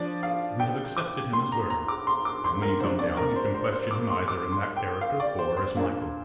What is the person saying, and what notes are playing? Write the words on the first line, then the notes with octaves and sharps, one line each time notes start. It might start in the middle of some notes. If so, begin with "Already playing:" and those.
We have accepted him as Bernard, and when you come down you can question him either in that character or as Michael.
Already playing: F3 D4 D5
F5
G5
D6
C6
A#5
A#5
D6
C6
D6
C6
A#4
C3 F3 D4 C5
D5
A#4
C5
C5
C5
D6
C6
D6
C6
G5
F5
D5
C5
C5
A#2 A#3 D4